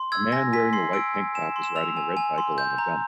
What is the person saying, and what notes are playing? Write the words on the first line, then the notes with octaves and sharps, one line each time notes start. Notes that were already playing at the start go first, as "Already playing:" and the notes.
A man wearing a white tank top is riding a red bike along a jump.
Already playing: C6
E6 G#6
G#5 A#6
G#5 B6
C6 C7
E6 D7
G#5
G#5 E7
C6
E7
E6 F7
G#5
G#5
C6
G6
A#5